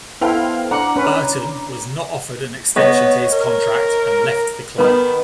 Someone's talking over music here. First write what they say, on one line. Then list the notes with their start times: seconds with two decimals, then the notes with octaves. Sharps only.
Burton was not offered an extension to his contract and left the club.
0.21 B3 E4 A4 C5 F5 G5 F6
0.71 D4 F#5 A#5 D6
0.96 C#4 B4
2.76 B3 C#5 D#5 A#6
3.33 A#4
4.78 D#3 B3 B5